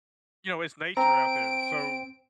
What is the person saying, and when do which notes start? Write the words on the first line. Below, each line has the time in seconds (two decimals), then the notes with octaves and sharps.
You know, it's nature out there, so
0.97 C4 A#5 D7